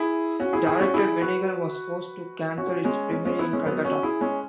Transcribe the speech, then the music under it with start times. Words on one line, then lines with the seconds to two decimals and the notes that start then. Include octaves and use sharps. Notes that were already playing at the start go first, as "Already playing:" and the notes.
Director Benegal was forced to cancel its premiere in Calcutta.
Already playing: E4 G#4
0.40 C#4 F#4
0.53 E4 G#4
0.67 E4 G#4
0.80 C#4 F#4
0.94 E4 G#4
1.21 F#4 B4
2.58 C#4 F#4
2.84 G#3 C#4
3.12 G#3 C#4
3.25 G#3 C#4
3.39 B3 E4
3.53 G#3 C#4
3.66 F#3 B3
3.84 C#4 F#4
4.03 E4 G#4
4.21 G#3 C#4